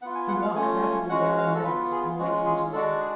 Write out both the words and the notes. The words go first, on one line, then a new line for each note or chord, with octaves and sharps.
He walked rapidly down the meadows, and went into his mill.
B3 F4 F#5
G#5
F#5
F5
A3 C#4 F4 G#5
G#5
G#3 C#4 F#4 F#5
F5
A4
B3 F4 B4
G#4
G#3 C#4 F4 F#4
G#4
G#3 D4 F#4 A4
G#4